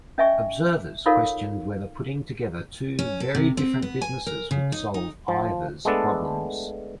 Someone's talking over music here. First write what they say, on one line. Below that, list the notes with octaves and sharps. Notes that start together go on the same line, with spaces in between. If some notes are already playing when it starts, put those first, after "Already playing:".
Observers questioned whether putting together two very different businesses would solve either's problems.
C#4 D#5 E5 G#5 C#6
D#4 F4 A4 A#4 C#5 F5
C#4
A4
C3
C4
B3
G#5
A#4
C#3
D#4
D#4
F3
G#3 A3 B3 D4 A4